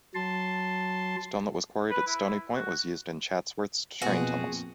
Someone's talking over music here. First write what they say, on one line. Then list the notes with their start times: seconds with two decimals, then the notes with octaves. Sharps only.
Stone that was quarried at Stoney Point was used in Chatsworth's train tunnels.
0.15 F#3 A5 C6
1.91 B4
2.06 E4
2.54 F#4
4.02 A#1 F2 B2 F#4 G#4